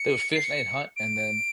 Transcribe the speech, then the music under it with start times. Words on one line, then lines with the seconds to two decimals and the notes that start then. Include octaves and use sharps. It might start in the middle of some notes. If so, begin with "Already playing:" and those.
they would fish and hunt and then
Already playing: C#7
0.34 C7
0.44 C#7
0.97 D7